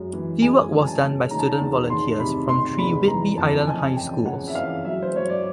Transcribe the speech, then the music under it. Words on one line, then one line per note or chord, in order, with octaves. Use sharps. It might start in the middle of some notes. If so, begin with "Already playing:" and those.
The work was done by student volunteers from three Whidbey Island high schools.
Already playing: F#2 G#3
E3
G#3 G#5
C#3
G#5
A5
C#3
D#3 A#5
A5
A#5
E2
D#3 C6
C3 B5
C3 C6
E2 B5
E3 A#5
F2 A5
A5
C#3 G#5
E3 G5
C#3 F#5
E5
E3 F5
F#3 E5
C5
F#3 C#5
D5